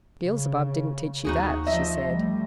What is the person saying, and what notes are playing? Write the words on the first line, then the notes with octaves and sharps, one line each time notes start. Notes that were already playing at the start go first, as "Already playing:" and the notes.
'Beelzebub didn't teach you that,' she said.
C#3
D#2 D#4 F#4 G#4
F3 D#5 E5
G3 A3